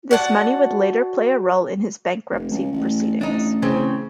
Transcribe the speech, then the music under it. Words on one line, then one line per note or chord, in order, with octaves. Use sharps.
This money would later play a role in his bankruptcy proceedings.
F#4 D5 F#5 A5
F1
C#2
A1
A1 D4 D#4
C#3 E3 C4